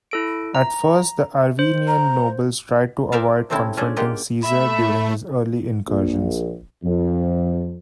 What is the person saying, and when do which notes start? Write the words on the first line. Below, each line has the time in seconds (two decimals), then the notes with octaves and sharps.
At first the Arvenian nobles tried to avoid confronting Caesar during his early incursions.
0.11 E4 A4 D7
0.55 A#5
1.59 C5
1.87 A#5
3.12 A#4 C5 D5 E5 F5 A5
3.50 C3 A3 C4 C#4 E4 A5
3.77 C#4 D4 G#4 A4 C5
3.96 G#3 A#3 F4 G4 F#5
4.43 A3 E5 B5
5.87 A#1
6.84 F2